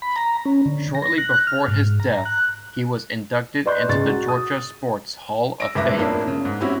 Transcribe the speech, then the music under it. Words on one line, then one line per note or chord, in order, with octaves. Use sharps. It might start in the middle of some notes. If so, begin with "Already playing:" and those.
Shortly before his death, he was inducted into the Georgia Sports Hall of fame.
B5
A#5
C#4
D3
A#6
F#6
F6
G#2
A#5
F#6
B4 D5 D#5 C6 F#6 G6
C#2 G#3 C#6 A6
F#4
D#6
E6 A#6 D7
F#1 C#2 B4 E5 D6 A#6
F2 A2 F3 A#3 D4 E4
C#3
G#2
C4 C#4 E4 F#4 G4